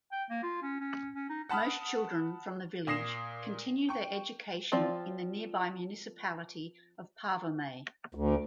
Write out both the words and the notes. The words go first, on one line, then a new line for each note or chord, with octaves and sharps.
Most children from the village continue their education in the nearby Municipality of Parvomay.
G5
A#3
F4
C#4
C#4
C#4
D#4
F#5 A5 B5 D#6 F6
A#2 D#6 A#6 C7 E7
G5 C#6
F3 C4 F4 D5
D2